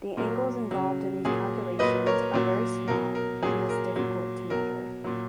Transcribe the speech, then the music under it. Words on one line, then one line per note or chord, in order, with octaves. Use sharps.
The angles involved in these calculations are very small and thus difficult to measure.
A#2 F#3 A#4
C#3 F#3
A#2 F#3 G#4
A#2 F#3 B4 D#5
A#4 C#5
A#2 F#3
B2 F#3 A#4
A#4
A#2 F#3 G#4
A#4
A#2 F#3
B2 F#3 A#4
A#2 F#3